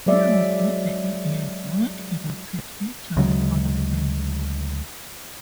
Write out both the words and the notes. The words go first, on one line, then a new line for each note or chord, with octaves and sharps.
He was with the Indians when inducted into the Hall of Fame.
F#3 G#3 D5 E5
D2 C#3 F#3 G#3